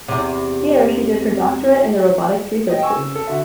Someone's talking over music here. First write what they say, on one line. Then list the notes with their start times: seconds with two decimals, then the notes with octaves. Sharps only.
Here she did her doctorate in the Robotics Research Group.
0.08 E2 C3
2.70 D#5 G5
2.82 G#5 C#6 E6
2.95 C#3
3.15 A4
3.27 D3 F#4 E5